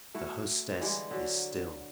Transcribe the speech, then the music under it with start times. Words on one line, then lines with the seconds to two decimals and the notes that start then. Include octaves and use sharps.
The hostess is still.
0.15 A3 E4 F#4
0.80 D3 E3 G3 G#3
1.11 D3 F#3